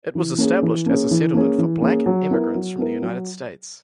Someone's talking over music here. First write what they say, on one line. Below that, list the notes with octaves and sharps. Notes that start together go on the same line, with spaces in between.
It was established as a settlement for black emigrants from the United States.
E3
A#3 C#4 G#4
E3
A#3 C#4 G#4
E3
A#3 C#4 G#4
E3
A#3 C#4 G#4
F#3
B3 E4 A#4
F#3
B3 E4 A#4
F#3